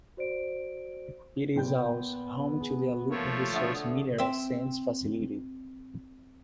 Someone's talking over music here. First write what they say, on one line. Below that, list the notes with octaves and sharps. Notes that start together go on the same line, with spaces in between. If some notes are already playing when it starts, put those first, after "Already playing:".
It is also home to the Iluka Resources mineral sands facility.
F#4 C5 D5 D7
A#2 B3 G5 G6
G#4
F3 A3 A#3 C#5
D3 E5 F#5 D#6
C4 E5